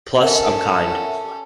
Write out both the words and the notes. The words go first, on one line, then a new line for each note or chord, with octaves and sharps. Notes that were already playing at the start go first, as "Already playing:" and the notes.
Plus I'm kind.
C#4 A4 A#4 E5 F#5